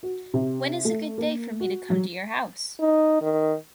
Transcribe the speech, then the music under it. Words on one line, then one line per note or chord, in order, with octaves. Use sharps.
When is a good day for me to come to your house?
F#4
C3
A3
A#3
F#4
F#3
D#4
D#3